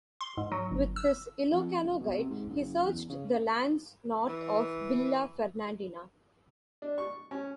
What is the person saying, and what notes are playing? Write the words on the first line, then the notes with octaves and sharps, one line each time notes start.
With his Ilocano guide, he searched the lands north of Villa Fernandina.
C6
G#2
F#3
G1
E6
F2
F#1
B2
C3
G#2
F#1
E2
C#3
E3
D4
C#6
C#4